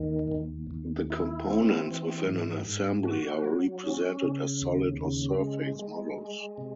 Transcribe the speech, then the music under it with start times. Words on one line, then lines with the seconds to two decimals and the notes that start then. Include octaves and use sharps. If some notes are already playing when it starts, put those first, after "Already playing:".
The components within an assembly are represented as solid or surface models.
Already playing: D#2 D#3
0.32 D#2
0.71 D#2
1.10 E4
1.49 C4
1.88 E3
2.27 G#2
2.67 G#2
3.05 F#4
3.44 F#3
3.83 C#4
4.23 C#3
4.62 D#2
5.01 C#3
5.40 G#3
5.79 G#3
6.18 G#3
6.58 C3